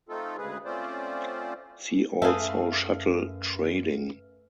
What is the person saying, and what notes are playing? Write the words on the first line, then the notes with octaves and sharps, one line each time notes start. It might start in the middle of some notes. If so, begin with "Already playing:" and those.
See also Shuttle trading.
A3 C4 D#4 F4 A4
D2 C#3 G#3 G#4 B4
A3 C4 C#4 F4 C5 D5
F#2 A3 G#4 B4 E5 F5 F6